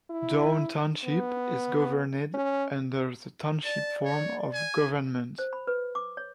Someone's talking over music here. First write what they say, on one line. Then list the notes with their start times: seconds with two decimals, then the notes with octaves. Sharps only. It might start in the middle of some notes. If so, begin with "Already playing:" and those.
Downe Township is governed under the Township form of government.
0.10 E4
1.04 B3
2.34 C#4
3.64 D5 A5
4.05 C#5
4.54 G#5
5.39 C5
5.53 B5
5.67 B4
5.95 D6
6.17 C#5